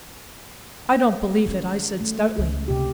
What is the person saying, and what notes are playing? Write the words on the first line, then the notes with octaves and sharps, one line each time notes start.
"I don't believe it," I said stoutly.
D#3 C#4
A3
C#2
C3 G4